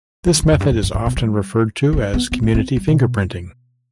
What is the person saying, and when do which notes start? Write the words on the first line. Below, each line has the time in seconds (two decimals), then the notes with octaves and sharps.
This method is often referred to as community fingerprinting.
0.26 F3
0.34 D#3
0.43 D3
0.52 F2
0.60 G2
0.71 F2
0.83 G2
0.94 G#2
1.06 B2
1.17 G3
1.93 B3
1.97 G#3
2.14 B3
2.32 B3
2.43 C4
2.55 C4
2.77 G3
2.88 B2